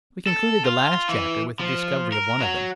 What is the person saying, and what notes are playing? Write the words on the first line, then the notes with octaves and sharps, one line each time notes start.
We concluded the last chapter with the discovery of one of them.
A4
F4
E3
F3
A#4
F#3